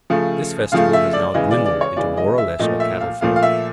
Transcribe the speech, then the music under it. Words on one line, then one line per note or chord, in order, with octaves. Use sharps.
This festival has now dwindled into more or less a cattle fair.
C#3 F3 A3
C#3 F3 A3 F5
E5
D5
C#3 E3 G#3 D#5
D5
D5
C#5
C#3 E3 G#3 D5
D#5
E5
A#2 F3 A3 D#5
E5
F5
A#2 F3 A3 F5
F5
E5